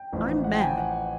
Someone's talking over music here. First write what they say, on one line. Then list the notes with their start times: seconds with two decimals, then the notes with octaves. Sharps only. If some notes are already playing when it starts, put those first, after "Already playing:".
I'm mad!
Already playing: G5
0.13 A1 A2 F3
0.44 F#5
0.53 G5
0.61 G#5
0.78 F#5